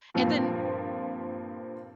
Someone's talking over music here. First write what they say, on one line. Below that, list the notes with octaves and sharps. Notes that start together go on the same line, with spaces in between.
and then,
G2 A#2 F3 C4